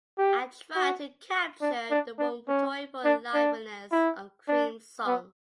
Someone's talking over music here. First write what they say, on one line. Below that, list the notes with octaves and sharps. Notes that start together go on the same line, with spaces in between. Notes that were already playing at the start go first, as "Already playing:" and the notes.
I tried to capture the warm joyful liveliness of Cream's songs.
G4
F#4
D4
D4
D4
C#4
D4
D4
E4
D4
B3